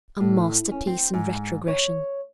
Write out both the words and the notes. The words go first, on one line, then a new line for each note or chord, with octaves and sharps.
A masterpiece in retrogression.
A2
C#4
C4
G#2
C#5